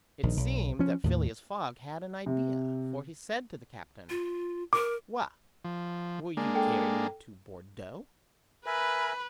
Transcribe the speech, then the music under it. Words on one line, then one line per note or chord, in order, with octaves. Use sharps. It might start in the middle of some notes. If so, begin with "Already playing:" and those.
It seemed that Phileas Fogg had an idea, for he said to the captain, "Well, will you carry me to Bordeaux?"
A#1 D#3
B1
F3 C#4
D#2 A2
C3
F4
A#4 D6
F3
G#3 A#3 D4
A4 G5
A#4 B4 E5 G#5 B5